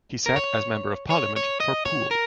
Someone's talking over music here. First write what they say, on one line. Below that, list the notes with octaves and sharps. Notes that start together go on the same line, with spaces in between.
He sat as Member of Parliament for Poole.
A#4
C#5
C#5
C#5
D#5
C#5
A#4